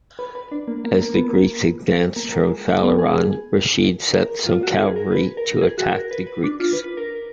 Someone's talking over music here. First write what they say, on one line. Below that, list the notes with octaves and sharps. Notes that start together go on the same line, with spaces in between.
As the Greeks advanced from Phaleron, Reshid sent some cavalry to attack the Greeks.
B4
B4
D4
A#3
A#3
A#3
B3
A#3
A#3
A#3
G#3
G#3
B3
G#4
A#4
F4
F#4
G#4
A#4
B4
A#4
G#4
F#4
A#4
B4
B4
D4
F4
B4
B4
A#4